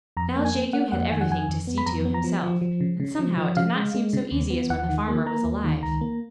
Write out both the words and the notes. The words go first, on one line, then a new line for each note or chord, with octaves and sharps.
Now Jegu had everything to see to himself, and somehow it did not seem so easy as when the farmer was alive.
F2 A#5
A#3
G#5
A#3
A#3 F#5
F2 F#5
D#3 G#5
F#5
F2 G#5
F2
B3
B5
F2 A#5
B3
A#5
F3
F3
F3
C#3
C#3
F3
F3
C#3 F5
G#3
G#3
C#3
D#2
B3
D#2 F#5
D#3
A#3
A#3 A#5
D#2
D#3
C#2 A#5
A#3